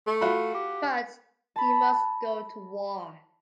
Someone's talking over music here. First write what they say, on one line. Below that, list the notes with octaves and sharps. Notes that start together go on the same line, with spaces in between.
But he must go to war.
A3
F4 F#4 B5
G4
A5 B5